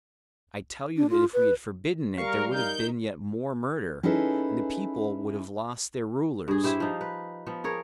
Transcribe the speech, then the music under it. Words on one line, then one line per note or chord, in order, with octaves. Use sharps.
I tell you that if we had forbidden it there would have been yet more murder, and the people would have lost their rulers.
D4
F4
B4
G3 A#4 F5 C#6
D#4 A#4 G6
C#4 D#4 E4 G#4 A4 B4
G2 G#4
E4 G4 C5 E5
F3 D#4
B4
F3 B3
G#4 A#4 C#5